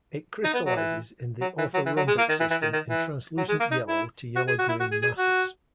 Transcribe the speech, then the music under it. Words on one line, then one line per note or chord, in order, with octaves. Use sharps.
It crystallizes in the orthorhombic system in translucent yellow to yellow green masses.
D#4
B3
F#3
E3
F#3
E3
F#3
E3
F#3
G#3
A#3
D#3
E3
E3
D#3
D#3
E3
F#3
G#3
A#3
D#4
E4
F#4
G#4
F#4
E4
F#4
G#4
G#4
F#4